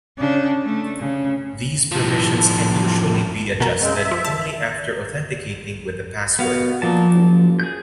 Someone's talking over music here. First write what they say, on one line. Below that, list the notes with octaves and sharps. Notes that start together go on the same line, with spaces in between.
These permissions can usually be adjusted only after authenticating with the password.
C#3 D4
A3
C#3
A2 F3
B2 A#4
C#3 G#3 C4
E5
F3
A5
B2 B3 F5
A#2 F3 A5
F#1
G#4 G6